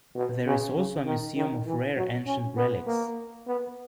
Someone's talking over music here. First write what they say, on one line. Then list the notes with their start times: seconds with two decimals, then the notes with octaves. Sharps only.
There is also a museum of rare ancient relics.
0.15 B2
0.46 C#3
0.76 C#3
1.06 D#3
1.36 D#3
1.66 E3
1.96 F#3
2.26 C#4
2.57 B3
2.87 A#3
3.47 B3